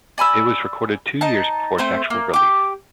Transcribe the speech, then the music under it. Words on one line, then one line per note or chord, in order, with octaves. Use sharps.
It was recorded two years before its actual release.
D5 G#5 B5 E6
D#4 A5
A3 C4 C5
A#3
G4 D6